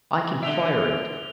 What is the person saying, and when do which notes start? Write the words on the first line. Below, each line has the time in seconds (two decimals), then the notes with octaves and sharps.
I can fire it.
0.43 D3 E5 D7 F7 G7